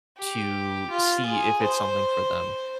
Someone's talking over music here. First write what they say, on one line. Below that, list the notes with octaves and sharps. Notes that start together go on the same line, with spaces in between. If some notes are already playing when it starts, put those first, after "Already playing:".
to see if it's something for them.
G4
F4
G#4
C5